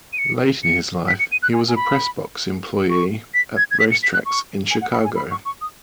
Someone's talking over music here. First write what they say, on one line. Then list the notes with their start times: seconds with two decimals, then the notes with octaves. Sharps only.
Late in his life he was a press box employee at racetracks in Chicago.
0.13 D#7
0.18 C#7
0.64 C#7
1.08 B6
1.19 C#7
1.32 D#7
1.43 F#6
1.54 G#5
1.68 G#5
1.76 B5
2.90 C#6
3.34 B6
3.57 G#6
3.71 G#6
3.80 B6
3.92 C#7
4.03 B6
4.14 F#6
4.26 C#6
4.71 G#5
4.81 F#5
4.92 B5
5.05 G#5
5.16 B5
5.31 C#6
5.45 C#6
5.61 D#6